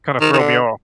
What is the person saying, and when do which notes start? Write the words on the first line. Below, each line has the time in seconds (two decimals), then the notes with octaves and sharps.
kinda throw me off.
0.21 D#3
0.33 D#3
0.38 D3